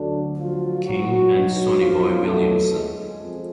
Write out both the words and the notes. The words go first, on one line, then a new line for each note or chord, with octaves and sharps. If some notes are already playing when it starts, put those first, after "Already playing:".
King, and Sonny Boy Williamson.
Already playing: D2 D3 F#3 D4
F3 F4
F#3 F#4
B1 B2 F#3
F3 F4
A3
G#3
F2 F3